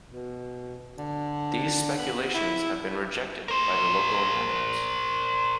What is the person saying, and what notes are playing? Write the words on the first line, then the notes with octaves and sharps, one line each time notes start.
These speculations have been rejected by the local inhabitants.
B2
D3
B3
E4
A#4 C5